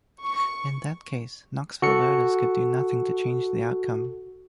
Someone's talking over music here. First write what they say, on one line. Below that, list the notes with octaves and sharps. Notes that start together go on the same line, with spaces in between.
In that case, Knoxville voters could do nothing to change the outcome.
C#6
F#4 A4 C#7